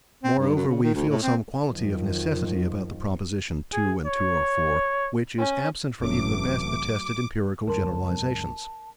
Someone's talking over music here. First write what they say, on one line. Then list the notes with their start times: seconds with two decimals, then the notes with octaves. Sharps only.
Moreover, we feel some quality of necessity about the proposition 'two and two are four', which is absent from even the best attested empirical generalizations.
0.23 C4
0.39 G2
0.55 F#2
0.67 C#3
0.83 D#3
0.94 D2
1.09 A2
1.23 C4
1.67 F2 D#3 F3 F#3
3.73 G#4
4.05 C#5
5.38 C#4
6.00 G1 F#2 C3 E3 F#3 A3 C#4 D6
7.68 C#2 F#2 A#4 A5 C6